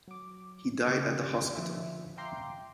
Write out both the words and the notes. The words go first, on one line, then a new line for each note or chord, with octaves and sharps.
He died at the hospital.
F#3 D6
C#3 A#3 G4 D6 D7
D3 F3 E5
E5 F5 G5 A#5 C6 D6